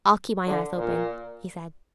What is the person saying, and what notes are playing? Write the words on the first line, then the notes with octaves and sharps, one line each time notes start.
'I'll keep my eyes open,' he said.
D3
A#2